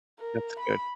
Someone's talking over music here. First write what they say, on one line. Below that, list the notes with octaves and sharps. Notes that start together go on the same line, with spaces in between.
That's good.
A#4
B5